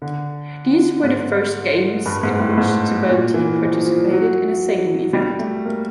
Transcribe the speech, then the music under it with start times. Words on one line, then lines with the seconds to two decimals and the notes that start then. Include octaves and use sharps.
These were the first games in which Djibouti participated in a sailing event.
0.02 D3
1.04 G#2
2.06 G2
2.23 G#2
2.40 A2
2.58 G#2
3.09 A#2
3.34 E3
3.60 F3
3.85 F3
4.11 F#3
5.13 G3
5.39 A3
5.65 A#3